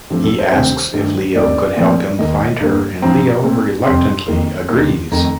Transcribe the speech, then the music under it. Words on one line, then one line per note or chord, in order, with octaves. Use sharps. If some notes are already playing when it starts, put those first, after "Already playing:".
He asks if Leo could help him find her and Leo reluctantly agrees.
G2 F3 A3 C4 G4
A4
C5
D2 C3 D#3 G3 C4 C5
G2 D#3 A3
D#2 D#3 A3 C4 D5
A#2 F3 A3 C4
D#2 D#3 A#3 D#5
G2 D3 G3 A#3
G2 F3 C4 A#5
A#2 A3 C4
F2 C3 G3 C4 C6
F2 D#3 A#3
D#2 D#3 G3 A#3
F2 D#3 A3 A#5